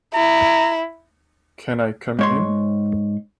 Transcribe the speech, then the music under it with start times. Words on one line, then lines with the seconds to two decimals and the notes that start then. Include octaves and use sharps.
Can I come in?
0.14 E4 A#5
2.19 G#2 C#5 C6